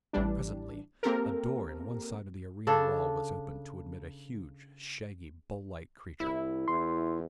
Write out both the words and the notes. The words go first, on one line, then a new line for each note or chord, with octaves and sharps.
Presently a door in one side of the arena wall was opened to admit a huge, shaggy, bull-like creature.
A1 E3 G3 D4
A#3 C4 G4 A4 A#4
C#3 D4 A4
C2 E4
E2 C6